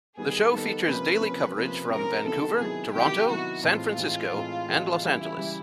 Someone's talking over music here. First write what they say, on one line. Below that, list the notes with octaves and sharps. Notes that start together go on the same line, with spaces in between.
The show features daily coverage from Vancouver, Toronto, San Francisco and Los Angeles.
D#3 G3 B3 G#4
D#3 G3 B3 A4
C3 F3 A#3 C#4 B4
C3 F3 A#3 C#4
C3 F3 A#3 C#4 B4
C3 F3 A#3 C#4 A#4
C3 D#3 F#3 B3 E4 A4
C3 D#3 F#3 B3 E4 G#4
C3 D#3 F#3 B3 E4 G4
C3 D#3 F#3 B3 E4 F#4
A2 E3 G#3 C4 F4
A2 E3 G#3 C4
A2 E3 G#3 C4
A2 E3 G#3 C4
C#3 E3 G3 E4
C#3 E3 G3